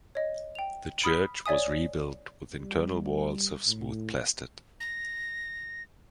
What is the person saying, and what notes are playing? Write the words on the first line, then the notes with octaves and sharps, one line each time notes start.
The church was rebuilt with internal walls of smooth plastered.
C#5 D#5
G5 F7
B5 D#6 F6 B6
C#5 D5 E5 G#5 D#6
G3
A2
A#6